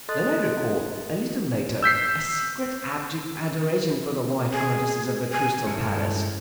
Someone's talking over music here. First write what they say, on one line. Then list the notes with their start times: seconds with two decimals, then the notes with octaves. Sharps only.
Then I recall, a little later, a secret abject adoration for the white goddesses of the Crystal Palace.
0.09 A4 D#5 C6 D#6 F#6 A6
1.83 E6 G6 B6 C7
4.52 G#4
5.32 G#5
5.66 G2 G#3 C#4 E4 A4